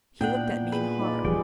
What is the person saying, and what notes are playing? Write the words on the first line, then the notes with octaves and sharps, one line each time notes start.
He looked at me in horror.
A#2 B3 D4 E4 F#5 G5
F4 G#4 B4
D#4 F4 D5
E1 E3 F3 G3 G4 G#4 B4 G5